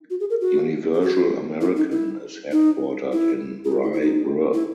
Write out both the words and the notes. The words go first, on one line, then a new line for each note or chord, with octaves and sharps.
Universal American is headquartered in Rye Brook.
F#4
G#4
A#4
F#4
G#4
F#4
E4
D#4
E4
D#4
E4
G#4
F#4
E4
E4
D#4
E4